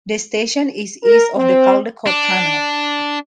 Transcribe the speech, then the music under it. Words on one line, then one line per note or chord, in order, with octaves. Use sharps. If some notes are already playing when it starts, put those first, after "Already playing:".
The station is east of the Caldecott Tunnel.
A#4
C4
D4